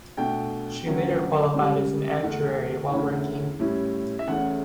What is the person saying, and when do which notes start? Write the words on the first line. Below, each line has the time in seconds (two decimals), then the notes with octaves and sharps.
She later qualified as an actuary while working.
0.17 B2 A3 D4 G5
0.86 D2 D3 F#3 C#4
1.54 C#2 C#3 G3
2.23 E2 D3 A3 D4
2.91 E2 D3 A3 C#4 E4
3.59 A2 G3 C#4 E4
4.19 E5
4.28 E2 C#3 E3 A3 C#4 F#5